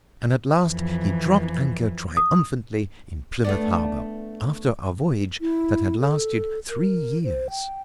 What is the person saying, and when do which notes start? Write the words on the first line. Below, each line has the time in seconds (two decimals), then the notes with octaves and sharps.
And at last he dropped anchor triumphantly in Plymouth harbor after a voyage that had lasted three years.
0.67 F2 E3
2.17 D#6
3.44 A3 B3 D4
5.41 E4
6.00 A4
6.69 A#4
7.24 C5
7.50 G5